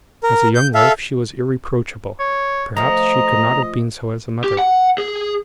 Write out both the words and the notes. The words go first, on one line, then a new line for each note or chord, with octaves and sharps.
As a young wife she was irreproachable; perhaps she could not have been so as a mother.
A#4
G6
A4 E5 F5
C#5
F3 A3 D#5 A#5
G4
F#5
G#4